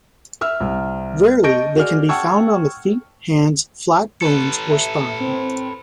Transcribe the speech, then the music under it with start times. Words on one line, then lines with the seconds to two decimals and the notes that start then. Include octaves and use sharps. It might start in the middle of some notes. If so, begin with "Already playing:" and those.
Rarely, they can be found on the feet, hands, flat bones, or spine.
0.41 E5 E6 F6
0.60 C2
1.43 D#5 A5 C#6 G6 A#6 D7
1.76 F#4 G#4 D5 F6
2.09 F#5 G5 A5 C#6 E6 G#6
4.22 A4 B4
4.71 E5
5.20 C4